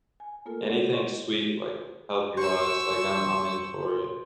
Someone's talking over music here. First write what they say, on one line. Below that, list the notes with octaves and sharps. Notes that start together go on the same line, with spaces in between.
anything sweet, like, healthy-wise, like, I'm I'm in for it.
G#5
A3 A#3 F4 A4 A#4
B3 F#4 A4 D5 F#5
C5 C#5 D#5 C6 C#6
C5 C#6 E6